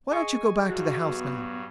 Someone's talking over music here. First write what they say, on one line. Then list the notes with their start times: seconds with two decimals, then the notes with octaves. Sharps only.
"Why don't you go back to the house now!"
0.11 G#4 D#5 G#5 C#6
0.69 G2 F#3 F#4
1.05 B3